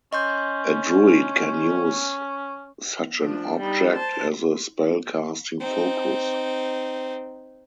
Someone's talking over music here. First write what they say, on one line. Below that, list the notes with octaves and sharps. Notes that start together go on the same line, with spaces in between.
A druid can use such an object as a spellcasting focus.
C#4 D#5 C6 G6
F3 D4
G3 D#4
C5 A5
C4 D#4